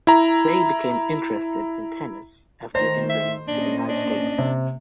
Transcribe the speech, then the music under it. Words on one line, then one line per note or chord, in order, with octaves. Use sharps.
They became interested in tennis after immigrating to the United States.
E4 A#5
D#3 A3 C5 A#5
E5
A#2 C#4 D4 D#5
D4
C3